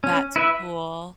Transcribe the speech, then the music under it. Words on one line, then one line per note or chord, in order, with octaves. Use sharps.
That's cool.
C#4
E4 B4 E5